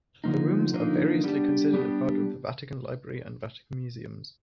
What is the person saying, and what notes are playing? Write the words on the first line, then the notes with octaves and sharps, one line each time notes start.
The rooms are variously considered a part of the Vatican Library and Vatican Museums.
D3 F3 A#3 D#4
D3 F3 A#3 D#4
G3 B3 D4 G4
G3 B3 D4 G4